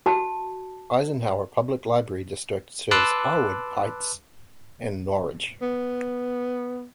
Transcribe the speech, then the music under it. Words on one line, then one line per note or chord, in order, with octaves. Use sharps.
Eisenhower Public Library District serves Harwood Heights and Norridge.
F#4 A5
B4 A5 C6 D6 E6 F#6
B3